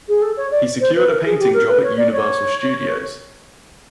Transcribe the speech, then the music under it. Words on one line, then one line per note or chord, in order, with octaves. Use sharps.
He secured a painting job at Universal Studios.
G#4
A4
C#5
D5
C5
B4
A#4
G#4
G4
A#4
B4
C#5
D5
C#5